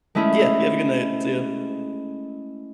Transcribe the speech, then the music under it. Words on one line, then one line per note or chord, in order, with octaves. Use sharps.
Yeah, you have a good night. See you.
G#3 A3 C#4 E4 G#4